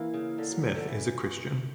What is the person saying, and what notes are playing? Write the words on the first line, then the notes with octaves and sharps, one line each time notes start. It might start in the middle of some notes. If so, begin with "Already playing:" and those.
Smith is a Christian.
Already playing: E3 A#3 E4
C#3
D3
F#3
F#3
D3
E3